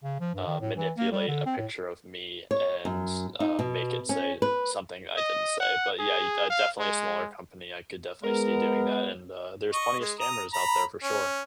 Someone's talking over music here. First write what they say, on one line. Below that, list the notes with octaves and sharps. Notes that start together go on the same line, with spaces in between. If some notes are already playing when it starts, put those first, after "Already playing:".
uh, manipulate a picture of me and, uh, make it say something I didn't say, but yeah, you uh, definitely a smaller company, I could definitely see doing that, and, uh, there's plenty of scammers out there for sure.
C#3
F3
G2
D#3
A2
E3
A#3
G3
D3
C4
A2
C#5
F#2
D#4
B2
C#4
B4
D#5
F#5
G#4
F5
G#3
G#3 B3 A#4
D#5 C#6
G#3
A#5 D#6
A#5 B5
C#4